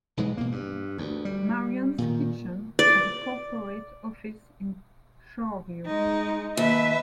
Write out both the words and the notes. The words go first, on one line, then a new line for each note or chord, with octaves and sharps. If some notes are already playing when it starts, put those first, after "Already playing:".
Marianne's Kitchen has a corporate office in Shoreview.
B1 G#2 E3 G#3
B2 A#3
G2
D2
G3
A#2 D#3
D5
G#3 D#4
D#2 B4 E5